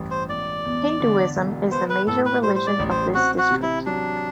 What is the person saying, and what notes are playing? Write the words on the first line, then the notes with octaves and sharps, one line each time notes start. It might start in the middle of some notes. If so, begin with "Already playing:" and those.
Hinduism is the major religion of this district.
Already playing: A1 G2 E3
C5
E1 D5
E2
D3
E1
B3 C5
B4
A2 A4
B4
G3 C5
C5
D5
A1
C5
C4 F#4
F#4
C3
E4
F#3 D4